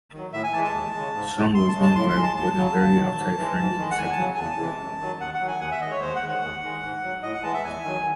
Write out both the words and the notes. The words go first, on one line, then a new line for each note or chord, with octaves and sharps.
Soong was named by Roddenberry after a friend in the Second World War.
D#3 F#3
A2 E5
G#5
E3 G#3 A5
A5
D#2
C#3 G#3
G#2
F#3
F#2 C6
A5
C#3 G#3
A5
A2 C6
C6
G#3
A5
D#2 A5
C#3 F#3
D#2
D#3 F#3
G#2
E3 G#3
G#2
D#3 G#3
F#5
E2 G#5
A5
C#3 F#3
G#5
E2 A5
C3 E3 G#3
F#2
D#3 F#3
D#2 F#5
F#5
D#3 F#3
G#5
D#2 F#5
E5
D#3 G#3 D#5
C#5
D#2 C5
F#5
D#3 G#3
F#5
D#2
D#3 G#3
G#2
F#3
A2 D#5
F#5
E3 G#3 A5
E5
E2 G#5
D#3 F#3